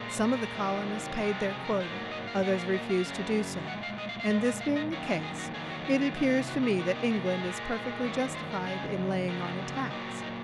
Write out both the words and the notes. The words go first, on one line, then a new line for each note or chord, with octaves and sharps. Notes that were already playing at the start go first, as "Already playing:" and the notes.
Some of the colonists paid their quota, others refused to do so, and this being the case, it appears to me that England is perfectly justified in laying on a tax.
Already playing: A#2 G#3
C5
A#4
C3 D#3 F#3 A#3
C3 F3 G#3
A#4
G#4
A#4
G#2 F#3 A#3 C5
D#5
F5
A#2 F#3 A#3 F#5
F5
D#5
F5
F#2 C#3 F#3 A#3
A#2 G#3 F#5
F5
D#5
F5
F5
A#2 G#3 D#5
D#5
F5
D#5
F#2 D#3 A#3 C#5
G#4
G#4
F#4
F2 D#3 F#3 A#3 G#4
F#4
F#4
F4
C3 D#3 A#3 D#4
F4
F#4
G#4
C3 D#3 A#3 F#4
D#4
F#4
G#4
A#2 G#3
C5
F#2 D#3 F#3 A#3 C#5
C5
C5
A#4
F2 C#3 G#4
F2 C#3 F#3 A#3 A#4
C4
C4
A#2 F#3 A#3 D#4
C4
D#4